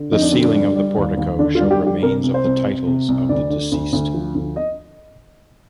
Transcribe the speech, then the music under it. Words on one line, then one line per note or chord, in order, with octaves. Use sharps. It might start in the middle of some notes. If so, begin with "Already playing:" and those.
The ceiling of the portico show remains of the titles of the deceased.
Already playing: D3
F2 D#4
D4
D3 C4
D4
G3
G3
D#2
D#2
D3 D4
F4
G3
G4
D3 G4
C2 A#4
C2
C5
C2
C3
C3
C2
D2 D5
D3
D2
D2
F3
D2
D#5